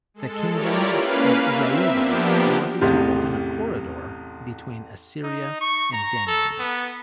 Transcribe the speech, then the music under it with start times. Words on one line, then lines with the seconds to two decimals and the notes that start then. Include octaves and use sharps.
The Kingdom of Ya'idi wanted to open a corridor between Assyria and Denyen.
0.14 G#3 A4
0.51 E4 F4 G4 A#4 C#5 D5
0.91 A#3 C#4 B4 F5
1.42 C4 E5
1.87 F3 A#3 B3 D4 G4
2.81 A1 E2 C3
5.24 D#4
5.61 C#6
5.93 A#5
6.27 A4
6.59 B3